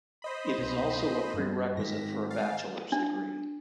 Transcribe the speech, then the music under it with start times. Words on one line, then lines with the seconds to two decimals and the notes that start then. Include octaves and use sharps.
It is also a prerequisite for a bachelor's degree.
0.22 C5 D#5 B5
0.58 C2 B2
1.34 G2 G3
1.77 G#2 D#3 G#3 A#6 B6
2.30 F5 A6 C7
2.92 D4